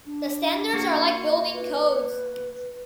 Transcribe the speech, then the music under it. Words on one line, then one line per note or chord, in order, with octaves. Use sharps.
The standards are like building codes.
D4
A#3 F#4
F5
B4